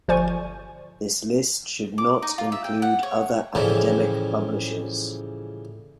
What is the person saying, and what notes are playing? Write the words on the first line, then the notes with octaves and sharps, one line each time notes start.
This list should not include other academic publishers.
G1 F3 C5 D5 G#5 C#6
D6
D#4
F4
E5
G5
F#5
C#5
A2 C#3 E3 F3 G3